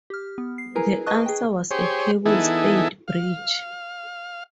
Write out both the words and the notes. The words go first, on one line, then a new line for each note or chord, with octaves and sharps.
The answer was a cable-stayed bridge.
G4 F6
B3
C7
E4 G#4 A#4 B4 G#5 A#5
B4 D#5 A5 C#6 D#6 F#6
G#4 G5
G4 G#4 C5 C#5
E3 B3 D#4 E4 G#4 A4
F5